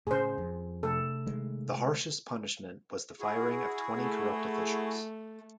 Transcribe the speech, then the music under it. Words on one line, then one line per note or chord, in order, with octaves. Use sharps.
The harshest punishment was the firing of twenty corrupt officials.
A2 C#3 G#4 C5
F2
C3 A3 A4
D#3 G#3
E4 F#4 G#4
A3